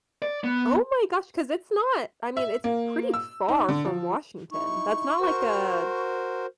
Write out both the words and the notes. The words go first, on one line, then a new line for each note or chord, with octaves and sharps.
Oh my gosh, 'cause it's not I mean, it's pretty far from Washington, that's not like a
D5
B3
E5
A#3
E6
D#4
D3
F3
D#4 E4 C#6
F#4 A#4 C5